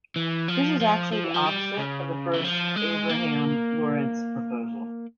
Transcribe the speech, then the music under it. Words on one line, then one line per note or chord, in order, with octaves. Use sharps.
This is actually the opposite of the first Abraham-Lorentz proposal.
E3
F3
F3
F3
E3
F3
G3
C#3
E3
F3
G#3
A#3